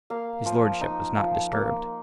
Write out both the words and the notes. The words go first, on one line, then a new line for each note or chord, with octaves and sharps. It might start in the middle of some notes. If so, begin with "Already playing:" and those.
His lordship was not disturbed.
A#3 F5
F3
D#4
F3
A#3